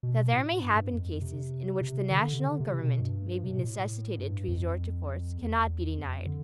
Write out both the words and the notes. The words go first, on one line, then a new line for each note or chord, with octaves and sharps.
THAT there may happen cases in which the national government may be necessitated to resort to force, cannot be denied.
B2
A2
G2
F2
C3
C3
D3
C3
D3
C3
B2
G2
C3
B2
A2
G2
F2
E2
F2
D3